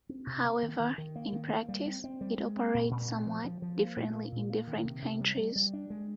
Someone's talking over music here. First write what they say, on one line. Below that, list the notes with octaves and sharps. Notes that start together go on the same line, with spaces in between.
However, in practice it operates somewhat differently in different countries.
C4
C3
A#3
D#3
D#3
D#3
A#3
D#3
A#3
G3
C4
C4
G3
G#3
C4
A#2
A#2
C4
F3
F3
F3
A#3
A#2
A#3
A#2
A#3
D#3
C3
C3
G3
G3
G3
D4
G#3